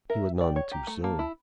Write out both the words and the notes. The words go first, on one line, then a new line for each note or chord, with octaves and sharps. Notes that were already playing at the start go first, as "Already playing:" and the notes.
He was none too soon.
A#4 E5
D5 G5
C#5
G4 A#5
A3
A#3 A5
E4